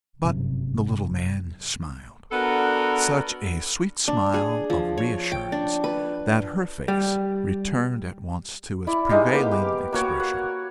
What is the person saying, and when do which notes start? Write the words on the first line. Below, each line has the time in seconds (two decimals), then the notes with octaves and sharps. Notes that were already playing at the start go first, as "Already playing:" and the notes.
But the little man smiled--such a sweet smile of re-assurance, that her face returned at once to its prevailing expression of content.
0.24 G1 F#2 C3
2.32 B3 D4 F#4 A4 A#4
4.08 D4
4.34 G#4
4.70 F3
4.98 C#5
5.32 G5
5.52 D4
5.84 B4
6.88 G3
8.87 E4 D5
9.09 G#3 D#4 G4 F5
9.30 A#3 B3 G5 D6
9.51 G4
9.93 A#3 F#4 C#5 D6
10.20 F#5